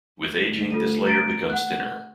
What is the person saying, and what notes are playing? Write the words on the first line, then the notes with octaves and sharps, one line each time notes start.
With ageing, this layer becomes thinner.
D2
F4 A4 D#7
A#5 A6 D7
F#5 F#6